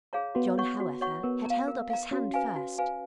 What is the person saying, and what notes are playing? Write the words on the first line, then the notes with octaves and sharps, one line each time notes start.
John, however, had held up his hand first.
G#4 C#5 F5 A#5
B3 F#4
C#5 F#5 C#6
F#4
C#5 F#5 C#6
B3 A#4
A#5
F5
A#4
F5 A#5
C#4 F#4
B4 F5 G#5
F#4
B4 F5 G#5